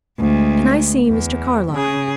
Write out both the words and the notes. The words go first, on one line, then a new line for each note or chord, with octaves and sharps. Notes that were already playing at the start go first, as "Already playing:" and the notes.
"Can I see Mr. Carlyle?"
D2 G#3
E2
C#3 G#4